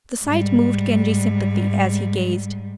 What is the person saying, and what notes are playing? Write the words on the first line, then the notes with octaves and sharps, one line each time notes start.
The sight moved Genji's sympathy as he gazed.
G#2 G3